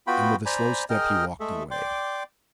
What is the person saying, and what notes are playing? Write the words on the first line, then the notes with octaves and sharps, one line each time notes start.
And with a slow step he walked away.
B3 F4 F#4 G5 B5
C5 D5 G#5 A#5 B5
G#4 A#4 D#5 G5 F6
G#3 A3 G#4 A4 E5
D5 G5 C6 D6